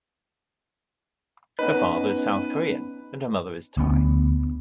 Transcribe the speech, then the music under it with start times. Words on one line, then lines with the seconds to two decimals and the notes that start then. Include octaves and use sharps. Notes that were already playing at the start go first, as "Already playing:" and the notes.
Her father is South Korean and her mother is Thai.
1.59 B3 C#4 D#4 B4
3.77 D2 B3